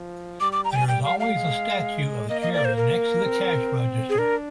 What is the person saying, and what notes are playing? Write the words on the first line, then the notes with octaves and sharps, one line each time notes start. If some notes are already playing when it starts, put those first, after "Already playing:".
There is always a statue of Jerry next to the cash register.
Already playing: F3
G3 D6
D6
A#5
G5
G#5
G3 G5
F5
F5
G#3
A#3 D#5
D#5
D5
C5
A#4
C4
G#4
D4 A#4